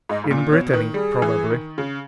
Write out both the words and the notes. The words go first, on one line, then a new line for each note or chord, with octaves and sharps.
"In Brittany, probably."
G#2 D#5
G#2
A#2
B2 C#5
D#3 B4
G3 G#4
E3
D#3
C#3